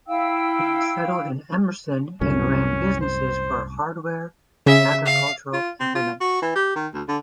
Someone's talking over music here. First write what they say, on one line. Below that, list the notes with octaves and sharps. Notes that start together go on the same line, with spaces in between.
He settled in Emerson, and ran businesses for hardware and agricultural implements.
E4 F5 G5 E6
C2 F#2 A2 C#4
C5
C#3 E5
F5
F4
C4
F4
F#4
E3
G4
D#3
D2
D3